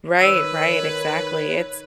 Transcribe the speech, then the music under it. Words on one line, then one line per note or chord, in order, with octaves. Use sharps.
Right, right, exactly, it's
D#3 B4 C#5 E6 D#7